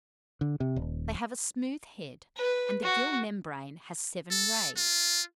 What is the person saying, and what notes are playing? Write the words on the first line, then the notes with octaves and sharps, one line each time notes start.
They have a smooth head, and the gill membrane has seven rays.
D3
C3
D#1
B4
F#4
A4
F4